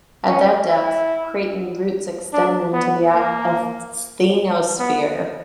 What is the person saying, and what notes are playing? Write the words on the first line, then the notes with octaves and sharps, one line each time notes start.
At that depth, craton roots extend into the asthenosphere.
C#4
E4
D4
B3
A#3
B3